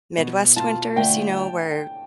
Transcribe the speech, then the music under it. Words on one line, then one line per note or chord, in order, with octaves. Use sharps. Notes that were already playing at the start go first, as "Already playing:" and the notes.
Midwest winters, you know, where
B2
F4 A5
D2 G5